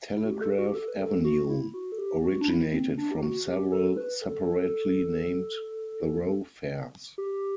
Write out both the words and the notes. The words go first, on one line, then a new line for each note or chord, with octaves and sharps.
Telegraph Avenue originated from several separately named thoroughfares.
E4
F#4
G4
A4
B4
F#4
G4
A4
B4
A4
F#4
E4
F#4
A4
G4
F#4
D4
E4
C4
D4
G4
F#4
G4
A4
B4
A4
G4